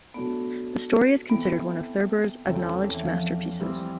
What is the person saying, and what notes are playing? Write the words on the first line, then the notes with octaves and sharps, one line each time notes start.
The story is considered one of Thurber's "acknowledged masterpieces".
B2 F#3 A3 B3 D4
E3 A3 B3 C4 E4
E2 C#3 E3 A3 C4
E3
F3
E3 G3 C4